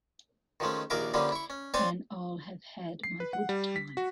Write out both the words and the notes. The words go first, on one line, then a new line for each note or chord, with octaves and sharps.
And I'll have had my good time.
D#3 F3 G#3 A3 C#4
A#1 D#2 G#4 A#4 E5 D6
D3 F3 G3 A#3 C#4 G#4
E4 C#6
C#4
C4 D4 C5 C#5 G#5 A5
C7
B4
F#5
G3
B6
F#4